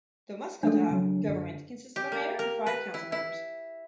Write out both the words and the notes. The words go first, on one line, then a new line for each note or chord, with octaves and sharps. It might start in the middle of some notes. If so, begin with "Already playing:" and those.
The Muscotah government consists of a mayor and five council members.
F3 G#3 A3 D4 A4
C#3 F#3 C#4
F#2 D3
G4
A#3
A#4
B4
E4
E4